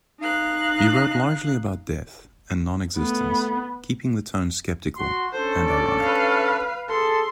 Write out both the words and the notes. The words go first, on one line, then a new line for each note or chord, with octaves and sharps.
He wrote largely about death and non-existence, keeping the tone sceptical and ironic.
D#4 F5 F#6
A3 B3
F#4 C6
C#4 D4 A4 C5
D5
B4 F5
G#4 A4 C6